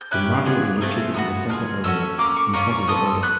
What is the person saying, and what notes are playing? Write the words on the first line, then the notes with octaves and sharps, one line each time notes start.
The marble is located in the center arena in front of the old entrance.
G6
C#4 E4 G4 F#6
B3 D4 F4 G#4
A3 C4 F4 G#4
B3 D4 F#4
D4 F4 G#4 F6
A3 C#4 F#4 E6
A#3 C#4 D6
C#6
A#3 C#4 F4 C#6
C#6
C4 F4 A4 D#6
E6
B3 F#6